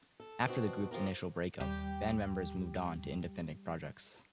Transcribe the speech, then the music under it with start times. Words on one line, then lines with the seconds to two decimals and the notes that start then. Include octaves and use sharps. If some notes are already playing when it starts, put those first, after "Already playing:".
After the group's initial break-up, band members moved on to independent projects.
0.20 A4
0.45 B2 C4 D4 F#4
0.91 F3 F4 G4 A#4
1.60 D#2 G3 G4